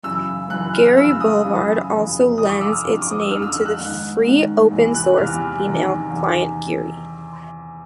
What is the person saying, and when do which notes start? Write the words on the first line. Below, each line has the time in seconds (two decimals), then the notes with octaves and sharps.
Geary Boulevard also lends its name to the free open source email client Geary.
0.04 F#2 C#3 E3 E6
0.50 F#2 C#3 E3 F#6
0.74 F6
0.97 F#2 C#3 E3 E6
1.20 D#6
1.44 F#2 C#3 E3
1.91 F2 C3 E3
2.37 F2 C3 E3 D#6
2.49 D6
2.61 E6
2.72 F6
2.85 F2 D3
3.02 D6
3.11 D#6
3.21 E6
3.31 F2 D3 F6
3.42 E6
3.54 E6
3.65 F#6
3.78 G#2 D#3
4.24 G#2 D#3
4.71 E2 C3 E3
4.94 F#6
5.18 E2 C3 E3 F6
5.65 E2 C3 D#3
6.11 E2 C3 D#3